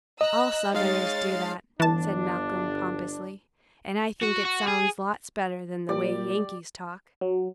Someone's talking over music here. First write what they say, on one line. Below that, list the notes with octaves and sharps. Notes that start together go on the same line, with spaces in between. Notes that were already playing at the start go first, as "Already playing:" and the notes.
"All Southerners do that," said Malcolm, pompously, "and I think it sounds lots better than the way Yankees talk."
D#5 A#5 E6 F#6
G#3 D#4 C#5 F5 A6
G1 E3 D4 A5
F#4
F#4
G#4
A#2 G3 G4 D5
F#3